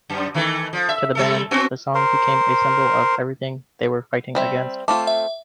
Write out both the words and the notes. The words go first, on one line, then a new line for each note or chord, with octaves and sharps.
To the band, the song became a symbol of everything they were fighting against.
F#2
D#3 E3 A3
F3
E5
G3 A3 A4
B3 C4 F#4
A#4 C5
G3 C4 E5
A3 C4 F4 D6
E5